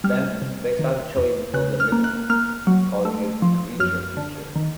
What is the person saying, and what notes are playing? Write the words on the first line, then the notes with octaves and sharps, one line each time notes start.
Then, they started showing the films at midnight, calling it "Creature Feature".
G3 F6
C3
D#3
E2
C#3 F#6
F6
A#3
F#6
A#3 F6
F#3
A3
F3
F#2 F6
D3
D#3